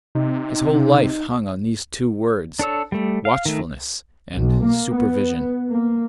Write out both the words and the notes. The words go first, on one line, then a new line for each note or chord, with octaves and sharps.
His whole life hung on these two words: watchfulness and supervision.
C3 D#4
D4 A4 C#5 E6
G3 A3
F5
D#3 A3
B1
A#3
B3
A#3